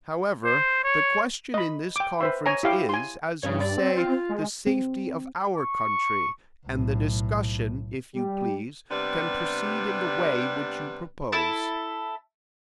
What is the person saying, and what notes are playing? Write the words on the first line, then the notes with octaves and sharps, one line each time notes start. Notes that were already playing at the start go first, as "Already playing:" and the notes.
However, the question in this conference is, as you say, the safety of our country; and the discussion, if you please, can proceed in the way which you propose.
C5
C#5
D#5 B5
G5 D6
B4 C5 E5
C#5 G#5 A#5
E4 G4 F5 G5
G#5 C6
G2 C#3 C#4 C#5
D5
C4
F4
G#3
C4
C#6
B1 A2
G3
C3 G3 B3 D4 B4
E4 A4 A5